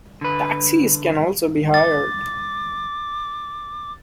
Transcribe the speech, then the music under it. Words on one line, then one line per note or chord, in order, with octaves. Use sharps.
Taxis can also be hired.
D3 B4
D6 A6